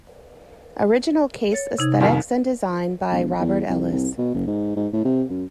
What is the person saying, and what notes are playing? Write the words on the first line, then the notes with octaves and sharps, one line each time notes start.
Original case aesthetics and design by Robert Ellis.
C#5 A6
C3 D#4 G#6
C2 F2 D#3
E1
E2
C2
C2
B2
F#1
G#2
G#2
A2
C3
F#2